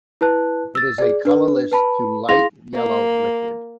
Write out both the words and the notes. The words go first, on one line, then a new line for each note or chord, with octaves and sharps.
It is a colorless to light yellow liquid.
E4 B4 A5 F#6
E6 A6
G#4 D5
D4 B4
B4 A5 B5
E4 G#4 F5 C6 A#6 F7
A#3